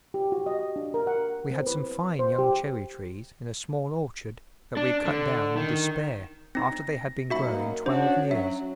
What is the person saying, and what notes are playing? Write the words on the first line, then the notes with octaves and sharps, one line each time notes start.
We had some fine young cherry-trees in a small orchard that we cut down in despair after they had been growing twelve years.
G4
F#4
D#5
D4
A#4
F#5
C4
B4
C5
G4
D4
D3
D#3
C4 D#4 A#6
F#2 A#3 D#4 F#4 E5 B5 C#7
C#4 D4 F#4 C5 C#5
F#3 E5